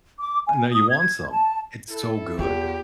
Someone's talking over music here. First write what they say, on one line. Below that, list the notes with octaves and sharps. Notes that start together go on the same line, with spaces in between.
And now you want some, it's so good,
D6
G#5
D#6
G#6
A5
E4 A4
E2 F4 G4